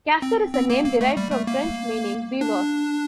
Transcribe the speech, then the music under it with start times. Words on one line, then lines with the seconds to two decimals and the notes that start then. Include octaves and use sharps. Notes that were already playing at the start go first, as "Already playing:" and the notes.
Castor is a name derived from French meaning "beaver".
0.22 C4
0.54 C4
0.70 A#3
0.85 A#3
1.01 A3
1.17 G3
1.31 A3
1.47 A#3
2.41 D4